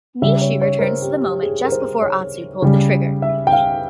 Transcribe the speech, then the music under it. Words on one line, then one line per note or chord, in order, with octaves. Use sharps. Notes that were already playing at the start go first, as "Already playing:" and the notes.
Nishi returns to the moment just before Atsu pulled the trigger.
C#3 G3 E5
C#5
C#5
A#4
C5
G4
G4
G#4
A#4
C5
C#5
C#3 G3
E5
G5
F5